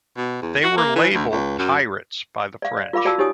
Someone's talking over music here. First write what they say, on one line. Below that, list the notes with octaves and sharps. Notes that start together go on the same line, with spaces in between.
They were labelled "pirates" by the French.
B2
E2
F#4
A#3
E3
D2
C#2
F#2
D5 F5
D5
F4 A#4 F5 B5 D6
F#4 D5 F5 A5 E6
D#4 G4 C#5 G#5 D#6